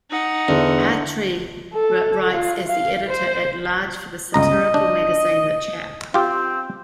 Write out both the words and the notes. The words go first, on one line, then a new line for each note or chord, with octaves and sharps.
Attree writes as the editor at large for the satirical magazine "The Chap".
D#4 F#5
E2 D3
A4
F4
F5
C5
G1 C#2 D#5 A#5
D4
C4 F4 G4